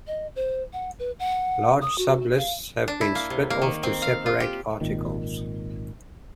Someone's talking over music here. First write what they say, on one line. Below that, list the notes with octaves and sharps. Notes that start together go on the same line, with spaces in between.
Large sublists have been split off to separate articles.
D#5
C5
F#5
B4
F#5
D#6
F#4
F5
D4
E4
A#3
C3
A#3
D#3
C4
F5
F4
G4
G#1 A#2 D#3